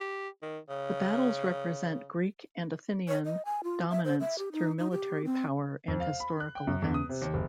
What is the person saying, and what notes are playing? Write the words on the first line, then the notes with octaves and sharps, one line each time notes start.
The battles represent Greek and Athenian dominance through military power and historical events.
G4
D#3
C#3
C#5
D#5
G#5
F4
E5
C5
E5
G4
D#4
D#4
G4
C4
F2
F5
B5
F#6
G5
F#2
E2
D#6
C3
D#2
F#1